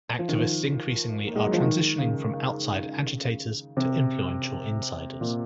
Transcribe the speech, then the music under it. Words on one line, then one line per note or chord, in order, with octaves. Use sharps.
Activists increasingly are transitioning from outside agitators to influential insiders.
F3
D#3
F3
A#3
G#3
F#3
F3
D#3
C#3
C3
A#2